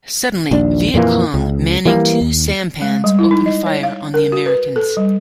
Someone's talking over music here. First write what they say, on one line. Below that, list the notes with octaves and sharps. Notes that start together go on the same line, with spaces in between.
Suddenly, Viet Cong manning two sampans opened fire on the Americans.
A#1 D#2 D4
F2 A#2 E3 A#3
C#2
E3 G3 A#3
D#2
G#3
G3
E4
D#4
D#5
C#5
F5
A#4
F#4
B4
A4
G3